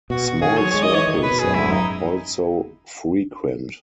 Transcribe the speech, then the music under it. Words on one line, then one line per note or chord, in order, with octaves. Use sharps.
Small circles are also frequent.
B2 F#4
F#4
D#3 G#4
F#3 C#5
G#3 C#5
D#5
E3 C#5
D#3
B2
B4
B2
F#2 G#4
G#2 E4
F#2 D#4